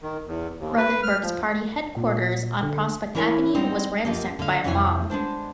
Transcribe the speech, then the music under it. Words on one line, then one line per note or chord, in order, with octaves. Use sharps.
Ruthenberg's party headquarters on Prospect Avenue was ransacked by a mob.
D#3
E2
D#2
B4
F6
F3
A#2
D3
E3 E4 A#4 C#5 G5 G#5
G3 G#3 B3 C4 D#4
F#2 F3 A#3 G4 D#5
D3 F5
F2 C3 E3 E4 C#5 G#5
G#3 B3 D4 C5